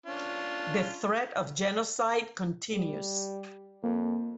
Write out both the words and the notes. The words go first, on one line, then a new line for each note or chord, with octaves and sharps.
The threat of genocide continues.
C#4 D4 F4
G3
F2 A#3